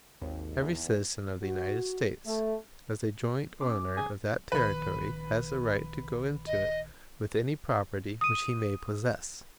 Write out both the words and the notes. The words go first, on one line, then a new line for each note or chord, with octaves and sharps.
Every citizen of the United States, as a joint owner of that Territory, has a right to go into it with any property which he may possess.
G#1 D#2
E2
F#4
A3
C#4 D6
G#4
A#1 D#3 B4 B5
D#5
D#6 D#7